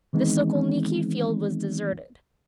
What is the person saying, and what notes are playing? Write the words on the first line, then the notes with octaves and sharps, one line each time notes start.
The Sokolniki field was deserted.
D#3 E3 G#3 B3 C4 D#4